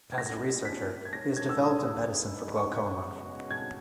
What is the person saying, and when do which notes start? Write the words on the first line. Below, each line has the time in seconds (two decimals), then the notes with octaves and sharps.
As a researcher he has developed a medicine for glaucoma.
0.12 G#6
0.17 A#2 G#3 C#4 A#6
0.65 B6
1.05 G#6
1.13 G#3 D#4 A#4 C#5 A#6
1.36 G#6
1.49 E6
1.61 D#6
2.08 G#3 D#4 G#4 B4
2.56 C#6
3.03 C#3 G#3 B3 F#4 C#5
3.51 G#6